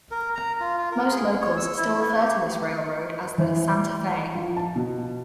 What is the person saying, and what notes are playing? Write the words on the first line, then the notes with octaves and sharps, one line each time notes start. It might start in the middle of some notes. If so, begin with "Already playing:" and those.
Most locals still refer to this railroad as the "Santa Fe".
A#4
A#5
F4
F4
A#4
G#4
C#5
E6
E4
B3
G4
E3
F3
A5
B2